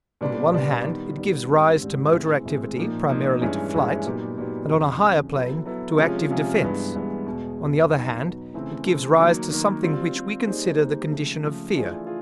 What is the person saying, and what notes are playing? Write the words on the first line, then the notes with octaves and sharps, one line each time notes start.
On the one hand, it gives rise to motor activity, primarily to flight, and on a higher plane to active defense; on the other hand, it gives rise to something which we consider the condition of fear.
A#2 G3 B3 D4
A#2 G3 B3 D4
D#3 G3 B3
D#3 G3 B3
G#2 D#3 G3 C4
G#2 D#3 G3 C4
A2 E3 G#3 C4
A2 E3 G#3 C4
A#2 F3 A#3 D#4
A#2 F3 A#3 D#4
G2 E3 G#3 C#4
G2 E3 G#3 C#4
A#2 F#3 B3 D#4 G4
A#2 F#3 B3 D#4 G4
F2 C#3 F3
F2 C#3 F3
F#3 B3 E4 A4
F#3 B3 E4 A4
C3 F3 G#3 C#4 F4
C3 F3 G#3 C#4 F4
G2 E3 G#3 B3
G2 E3 G#3 B3
E2 B2 G#3
E2 B2 G#3
B2 F#3 B3 D#4
B2 F#3 B3 D#4
C#3 E3 A3 C4
C#3 E3 A3 C4
D#3 F#3 A#3
D#3 F#3 A#3
G3 C4 F4
G3 C4 F4
G3 A#3 D#4 G#4 C5
G3 A#3 D#4 G#4 C5
C#3 F3 A3
C#3 F3 A3
E3 A3 D4 F4 G#4
F4 G#4